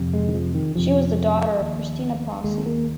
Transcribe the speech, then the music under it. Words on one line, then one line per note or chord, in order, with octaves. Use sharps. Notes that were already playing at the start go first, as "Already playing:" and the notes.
She was the daughter of and Christina Posse.
Already playing: F2 C3
G#3
D#3
F3
D#3
F2 C3 F3
D#2
D#2 G#3
A#3